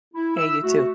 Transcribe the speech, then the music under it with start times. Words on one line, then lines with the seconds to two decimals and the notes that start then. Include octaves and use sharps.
Hey, you too.
0.14 E4
0.36 E5 E6
0.63 A3 F#4